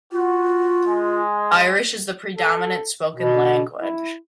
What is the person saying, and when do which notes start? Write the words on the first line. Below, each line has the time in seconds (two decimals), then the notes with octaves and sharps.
Irish is the predominant spoken language.
0.12 F4 F#4
0.86 G#3
2.36 A4
3.16 B2
3.79 E4